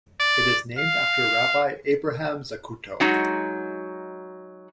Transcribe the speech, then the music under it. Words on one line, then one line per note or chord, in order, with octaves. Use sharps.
It is named after Rabbi Abraham Zacuto.
D5
F5
F#3 G#3 D#4 F#4